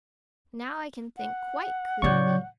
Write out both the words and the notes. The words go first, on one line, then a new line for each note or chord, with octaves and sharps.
"Now I can think quite clearly."
F#5
A2 C#3 F#3 C#5 D5 C#6 G6